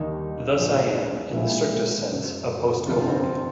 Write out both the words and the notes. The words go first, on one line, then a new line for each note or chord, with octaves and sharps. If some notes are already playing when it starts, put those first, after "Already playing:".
Thus I am, in the strictest sense, a postcolonial.
Already playing: D#2 D#3 G3 D#4
A#1 G#2 F3 G#3
B1 A#2 F3 G#3 E4
F#1 F#2 C#3
G1 F2 C3 F3 F4
C4